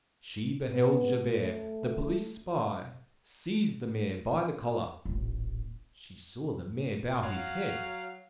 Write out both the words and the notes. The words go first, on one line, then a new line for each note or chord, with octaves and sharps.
She beheld Javert, the police spy, seize the mayor by the collar; she saw the mayor bow his head.
B3
A3
D#1 A1
F#3 F5